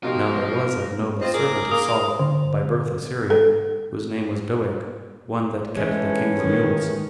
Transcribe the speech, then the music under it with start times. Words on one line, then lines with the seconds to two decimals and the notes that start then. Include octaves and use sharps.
Now there was at Nob a servant of Saul, by birth a Syrian, whose name was Doeg, one that kept the king's mules.
0.03 B2 F3 D#4 F4 G4 A#4
1.21 C4 F4 C5 D#5
1.33 G#4 A#4 D6
1.71 A#3 D#6
2.19 D3
3.30 A4
5.75 A2 E3 G#3 A3 C#4
6.40 D#3